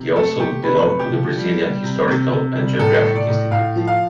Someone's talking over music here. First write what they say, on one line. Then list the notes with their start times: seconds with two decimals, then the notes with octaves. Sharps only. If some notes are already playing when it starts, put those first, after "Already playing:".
He also belonged to the Brazilian Historical and Geographic Institute.
Already playing: C3
0.16 A3 A4
0.40 A3 G4
0.63 C3 B4
0.88 A3
0.99 G4
1.12 F3
1.36 G3
1.60 G3
1.83 C3
2.08 C3
2.32 C3
2.56 G3
2.79 A2 A4
3.03 A3
3.16 D5
3.28 A2
3.51 A2 F5
3.76 F3
3.87 F5